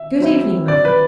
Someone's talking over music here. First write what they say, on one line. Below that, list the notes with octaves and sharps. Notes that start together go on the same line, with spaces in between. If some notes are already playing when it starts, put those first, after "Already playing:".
'Good evening, Mother.'
Already playing: E5
F#3 C4 E4
D5
B4